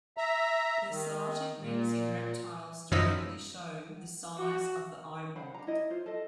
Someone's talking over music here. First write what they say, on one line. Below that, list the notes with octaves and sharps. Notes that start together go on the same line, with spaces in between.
The sclerotic rings in reptiles directly show the size of the eyeball.
E5 A#5
D#3
A#2
F#2 E3 F3 D#4 B5 E6
F#4
C5 F5 F#5 B5
D4 A#5
E4 D#5
F4 C5
A4 D#5